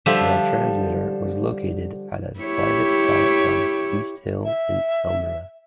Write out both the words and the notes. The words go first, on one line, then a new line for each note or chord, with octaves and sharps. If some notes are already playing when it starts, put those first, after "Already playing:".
The transmitter was located at a private site on East Hill in Elmira.
D3 F3 G3 D4 F4 E5
E4 G4 C#5
E5